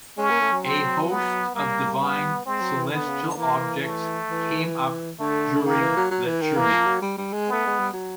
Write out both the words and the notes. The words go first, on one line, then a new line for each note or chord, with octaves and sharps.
A host of divine celestial objects came up during the churning.
G#3 C#4
A#3
A3
F#3
C4
B3
G3 A#3
B3
G#3 C4
F#3
E3
D3 B3
C#3
D3
E3 A#3
A3
E3
D3 A3
D3
D#3 A#3
E3
F#3
F#3
E3
D#3
E3 A#3
F3
F#3
G3
G3
G#3
A3 B3
G#3
G3
F#3